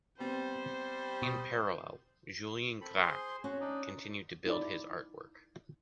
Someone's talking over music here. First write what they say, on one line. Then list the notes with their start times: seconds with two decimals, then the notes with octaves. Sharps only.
In parallel, Julien Gracq continued to build his artwork.
0.20 G3 B3 C4 C5
1.22 B2 C#6 D#6
2.81 C4 A4 B5
3.03 G#4 C5 C6
3.44 C#4 F#4
3.60 D4 D#4
4.46 D#4 E4 D5